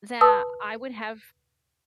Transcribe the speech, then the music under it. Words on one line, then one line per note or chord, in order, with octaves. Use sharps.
that I would have
B4 A5 D#6 E6